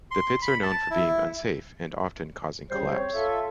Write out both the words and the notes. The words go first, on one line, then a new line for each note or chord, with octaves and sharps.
The pits are known for being unsafe, and often causing collapse.
C6
B5
A5
E4
C#3 G3 C5
C4 C#5
F4 A4 E5